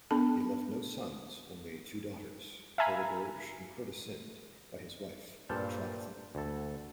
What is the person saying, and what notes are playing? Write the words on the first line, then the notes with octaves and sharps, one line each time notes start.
He left no sons, only two daughters, Chrodoberge and Chrodesinde, by his wife Ultragotha.
B3 D4 A4 A5
E5 F5 G#5 A#5 B5
G2 A#2 A4 C5 F5 A5
D2 A4